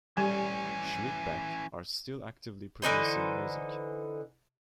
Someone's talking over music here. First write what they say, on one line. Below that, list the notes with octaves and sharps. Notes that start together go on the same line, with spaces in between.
Shriekback are still actively producing music.
E3 G3 C#4 G#5
D3 E3 D#4 C5